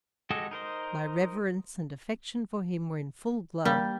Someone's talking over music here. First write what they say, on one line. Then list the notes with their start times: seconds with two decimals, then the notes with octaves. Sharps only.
My reverence and affection for him were in full glow.
0.30 G#3 F#4 G4 A4 D#5
0.51 D#4 A#4 C5 D#5
3.65 G3 A#3